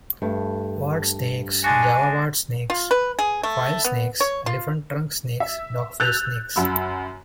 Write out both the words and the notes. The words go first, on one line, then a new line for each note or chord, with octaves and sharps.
Wart snakes, Java wart snakes, file snakes, elephant trunk snakes, dogface snakes.
G2 A3
G#3 D4 F#4 G#5
F4
B4
G#4
A3
B3
C#5
F4
E5
E6 F#6 G6 A6 F7
F#2 F#4 B5 E6